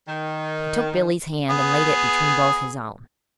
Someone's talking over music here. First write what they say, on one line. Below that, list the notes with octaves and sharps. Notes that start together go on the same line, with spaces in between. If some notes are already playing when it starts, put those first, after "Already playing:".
He took Billie's hand and laid it between both his own.
D#3
B3 G#4